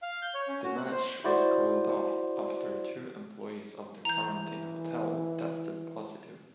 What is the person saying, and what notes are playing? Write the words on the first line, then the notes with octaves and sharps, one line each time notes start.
The match was called off after two employees of the quarantine hotel tested positive.
F5
G6
C#5
C#4
F#4
F#6
C5
E4 F#4 C5 D5
E3 A#5 G6